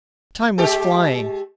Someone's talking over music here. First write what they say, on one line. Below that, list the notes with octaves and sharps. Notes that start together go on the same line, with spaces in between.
Time was flying.
G#3 G4 A4